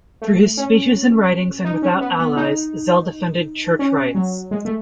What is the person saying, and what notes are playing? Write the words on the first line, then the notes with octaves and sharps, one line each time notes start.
Through his speeches and writings and without allies Zell defended Church rights.
A3
C#4
D#4
C#4
B3
B3
D#4
C#4
F#3
G#3
A3